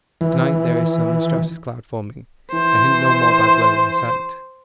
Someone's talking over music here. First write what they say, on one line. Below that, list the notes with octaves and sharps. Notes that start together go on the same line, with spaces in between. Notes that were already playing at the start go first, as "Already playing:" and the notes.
To-night there is some stratus cloud forming--a hint no more bad weather in sight.
E3
E3 C5